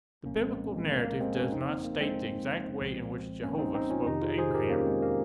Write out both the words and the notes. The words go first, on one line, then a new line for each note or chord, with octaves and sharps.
The Biblical narrative does not state the exact way in which Jehovah spoke to Abraham.
C2 A#2 F3 A#3 C#4
G#3 C4
A#3
G#3
A#3
A#3
G#3 C4
A#3 C#4
G1 F2 C#3 F3 C4 D#4
A#3
A#3
G#3 C4
C2 A#2 F3
A#3 C#4
C4 D#4
C4 D#4
C#4 F4
F2 C3 D#3 D#4 G4
F4 G#4
G#4 C5
G4 A#4
A#3 C#4
G#3 C4
A#3